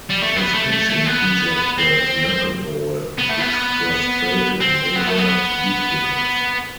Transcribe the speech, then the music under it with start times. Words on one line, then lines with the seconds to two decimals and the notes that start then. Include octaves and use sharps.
His pitching featured the knuckleball, which frustrated major league hitters.
0.10 G3
0.23 A3
0.36 B3
0.54 A3
0.72 A3
0.90 A3
1.06 B3
1.78 C4
3.19 B3
3.30 A3
3.40 B3
4.61 C4
4.95 B3
5.07 A3
5.18 B3